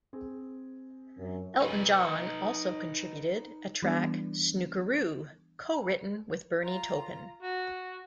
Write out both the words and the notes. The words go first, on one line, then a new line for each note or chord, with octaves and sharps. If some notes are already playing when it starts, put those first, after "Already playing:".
Elton John also contributed a track, "Snookeroo", co-written with Bernie Taupin.
C4 G#4
F#2
D#4 B4
E3 G3 B3 D4
F4 A#5
F#4